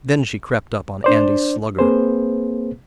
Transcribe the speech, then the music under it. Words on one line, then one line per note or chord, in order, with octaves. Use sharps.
Then she crept up on Andy's Slugger.
D4 C5 D5
A#3 C4 G#4 B4 C5